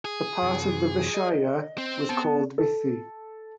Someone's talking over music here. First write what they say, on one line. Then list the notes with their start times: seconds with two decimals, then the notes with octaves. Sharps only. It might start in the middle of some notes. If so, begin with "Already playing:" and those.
A part of the "Vishaya" was called "Vithi".
0.05 G#4
0.42 F#2 C3 E3
1.14 D#5
1.78 C4
2.09 B3 A5
2.58 A4